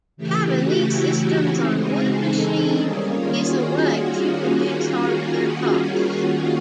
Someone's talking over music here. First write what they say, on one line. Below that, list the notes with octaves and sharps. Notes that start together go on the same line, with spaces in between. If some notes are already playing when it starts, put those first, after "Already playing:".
Having these systems on one machine is a way to reduce hardware costs.
C#3 E3 A3 G4
F#4
E4
C#3 E3 G#3 C4 D#4
G#4
A4
D#3 G3 A#3 C#4 G#4
F4
F#4